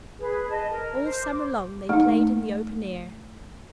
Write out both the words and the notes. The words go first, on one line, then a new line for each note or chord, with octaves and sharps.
All summer long they played in the open air.
G#4 B4
D#5 A5
A#4
C5
D6
A3 D#4